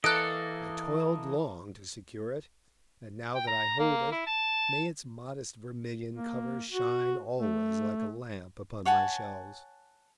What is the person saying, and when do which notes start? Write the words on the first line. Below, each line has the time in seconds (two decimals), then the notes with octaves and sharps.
I toiled long to secure it, and, now that I hold it, may its modest vermilion cover shine always like a lamp upon my shelves!
0.04 E3 A#3 A4 D#5 F#6 D7
3.35 G5
3.47 A#5
3.79 A#3
4.12 E4
4.27 A5
6.15 A#3
6.71 F#4
7.40 A3
8.85 C#5 F#5 G#5 A5